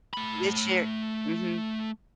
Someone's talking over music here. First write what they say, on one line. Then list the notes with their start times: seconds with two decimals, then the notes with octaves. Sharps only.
this year mhm.
0.14 A3 B5